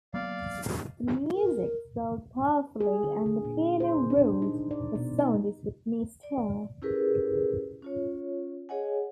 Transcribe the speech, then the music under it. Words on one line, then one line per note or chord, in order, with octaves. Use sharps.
The music swelled powerfully and the piano roared... the sound is with me still.
F#3 A#3 B3 D5 F5
A#4
G#4
D3
D3
A#2
C5
D4
D#4
D5
B2
D#4
D5
C#4 E4 G4 G#4 A#4 B4
C#4 F4 C#5
G#4 C#5 D#5 F#5 G#5